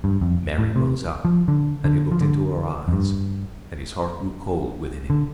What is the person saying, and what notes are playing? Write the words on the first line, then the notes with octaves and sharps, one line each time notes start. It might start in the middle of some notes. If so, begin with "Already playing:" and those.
Mary rose up, and he looked into her eyes, and his heart grew cold within him.
G2
F2
A2
C3
F3
D3
D3
F3
D3
F2
G2
D3